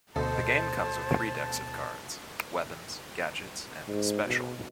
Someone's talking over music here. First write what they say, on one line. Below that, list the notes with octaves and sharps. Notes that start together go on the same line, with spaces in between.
The game comes with three decks of cards: "Weapons", "Gadgets" and "Special".
D2 B2 A4 C5 D#5 A5
G#2
B2